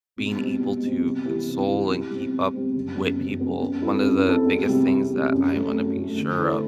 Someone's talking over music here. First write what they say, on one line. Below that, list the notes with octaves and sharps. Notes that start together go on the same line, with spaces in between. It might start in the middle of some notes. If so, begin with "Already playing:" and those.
being able to console and keep up with people. One of the biggest things that I wanna be sure of
B2
G3 C4
B2
G3 C4
C3
E3 B3 E4 G4
C3
E3 B3 E4 G4
B2
G3 C4
B2
G3 C4
F#1
F#2 F#3 B3
F#1
F#2 F#3 B3
F#2
F#3 C4 E4 A4
F#2
F#3 C4 E4 A4
E2
C3 G3
E2
C3 G3
F#2
F#3 A3
F#2
F#3 A3
D3
A3 E4 A4 C5